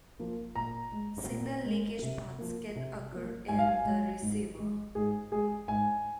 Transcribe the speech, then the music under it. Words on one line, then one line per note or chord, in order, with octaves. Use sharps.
Signal leakage paths can occur in the receiver.
F3 A#3
A#2 A#5
G#3
A#2
G#3
C3
F3 A#3
C3
F3 A#3
G#2 G#5
F5
G#5
G#3
G#2
G#3
G#2 G#4
G#3 G#4
G#2 G#5